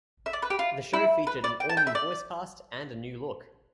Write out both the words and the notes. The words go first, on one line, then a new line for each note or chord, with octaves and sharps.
The show featured an all-new voice cast and a new look.
E5
D5
B4
G4
F4
E4
B4
D5
G5
A5
G5
E5
D5